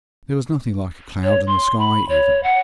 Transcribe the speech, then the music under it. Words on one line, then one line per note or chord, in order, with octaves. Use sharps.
There was nothing like a cloud in the sky even.
C#5
C6
B5
C#5
F#5